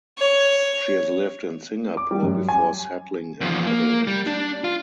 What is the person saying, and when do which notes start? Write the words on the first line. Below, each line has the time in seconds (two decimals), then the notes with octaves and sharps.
She has lived in Singapore before settling in Adelaide.
0.18 C#5
1.97 D6
2.11 G3
2.23 F#2
2.49 G#5
3.41 E2 F3
3.67 A#3
4.07 G3
4.27 D4
4.64 F4